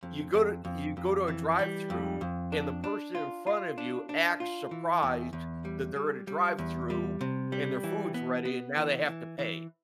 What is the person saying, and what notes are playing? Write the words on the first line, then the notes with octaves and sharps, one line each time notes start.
you go to you go to a drive-thru and the person in front of you acts surprised that they're at a drive-thru and their food's ready and now they have to pay.
F2
F2
F2
F2
E3
G3
F2
F2
D4
D4
F4
F4
D4
D4
F4
E3
E2
E2
G3
G3
G3
E2
G3
C3
G3
E3
B3
B3
E3
E3
E3